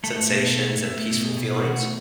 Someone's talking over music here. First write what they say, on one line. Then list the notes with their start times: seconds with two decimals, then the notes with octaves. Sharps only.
sensations and peaceful feelings.
0.04 A3 A4
0.30 B2
0.57 A3
0.83 A3
1.10 B2
1.37 B2
1.63 A3 F#4